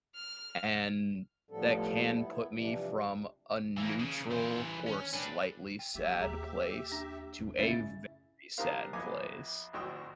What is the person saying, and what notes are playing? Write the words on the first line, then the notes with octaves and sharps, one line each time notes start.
and that can put me from a neutral or slightly sad place to a very sad place.
F6
A2 F3 G3 B3 A4
B3 E4
C3 E3 F3 G3 D4
E3 A#3
C#3
E3 C5
C#4
D4 B4
G5
F#3 A#3 G4 E5
D#2 A#3 G#4 A#5
D4
E2 B3
F#2 A2 C#3 E4 A6
D4 D#4 G4 A#4 C5 F5
A#1 F2 A#3 B3 G#5 D6
G#1 D2 F#4 G5 D#6 E6